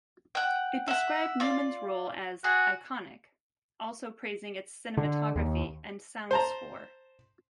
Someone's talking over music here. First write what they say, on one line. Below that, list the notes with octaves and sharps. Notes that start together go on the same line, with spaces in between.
It described Newman's role as "iconic," also praising its cinematography and sound score.
F#5 G5
E5 F#5
F4 D5
F#4 G#4
D3
D#2
C5 A5 A#5